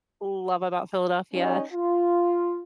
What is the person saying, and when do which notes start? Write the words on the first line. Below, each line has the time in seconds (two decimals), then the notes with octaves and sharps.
love about Philadelphia
1.34 G3 C#4 D#4
1.74 F4